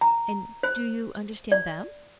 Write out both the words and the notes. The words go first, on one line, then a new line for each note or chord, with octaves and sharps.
"And do you understand them?"
A#5
C5
D5